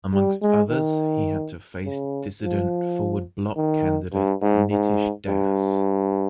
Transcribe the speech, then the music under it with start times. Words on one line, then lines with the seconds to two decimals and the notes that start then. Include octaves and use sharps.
Amongst others, he had to face dissident Forward Bloc candidate Nitish Das.
0.13 G3
0.42 G#3
0.70 D#3
1.85 C#3
2.42 F3
3.57 D#3
4.13 G2
4.42 G#2
4.71 G#2
5.28 G2